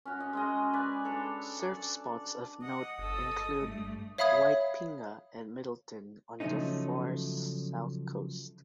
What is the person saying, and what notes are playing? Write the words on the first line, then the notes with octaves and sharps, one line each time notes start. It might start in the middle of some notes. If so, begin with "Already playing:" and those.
Surf spots of note include Waitpinga and Middleton on the Far South Coast.
C#4 F#4
D#5
G#3 C#4 D#5
B4 D5 G#5
D4 A4 C#5
D5 A5
D#5 F#5 D#6
G1 A4 D#5
G2 A3
C#5 E5 F5 B5 D#6 G#6
C#3 F3 F#3 A3 C#4 D#4